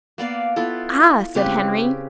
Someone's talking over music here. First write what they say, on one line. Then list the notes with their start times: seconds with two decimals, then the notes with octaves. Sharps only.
"Ah!" said Henry.
0.18 A#3 B3 D5 F5
0.56 B3 E4 F4 A4
1.35 C#3 C4 G4 B4